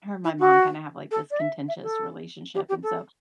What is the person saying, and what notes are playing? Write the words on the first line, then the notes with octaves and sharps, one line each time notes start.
her and my mom kinda have, like, this contentious relationship, and so,
E4
F#4
A4
D5
E5
E5
A4
G4
G4
A4